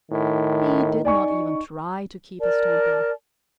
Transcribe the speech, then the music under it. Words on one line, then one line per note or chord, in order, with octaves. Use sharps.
He did not even try to keep his temper.
A2 D#3
D#4 D5 G#5 C#6
A#4 D5 A5